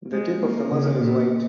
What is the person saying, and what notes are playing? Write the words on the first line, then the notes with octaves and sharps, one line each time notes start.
The tip of the muzzle is white.
G#3
A#3
C#3
A#2